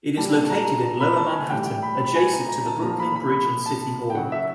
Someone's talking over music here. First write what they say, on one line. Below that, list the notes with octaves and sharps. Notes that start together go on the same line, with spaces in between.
It is located in Lower Manhattan, adjacent to the Brooklyn Bridge and City Hall.
A#2 G3 A5
A5
A5
A#5
A#5
B5
A5
G#5
A2 E3 G3 G5
G5
B5
B5
G#5
A#5
A#5
A5
A#2 F3 A#5
B5
B5
B5
A5
G5
C#3 F#3 F#5
E5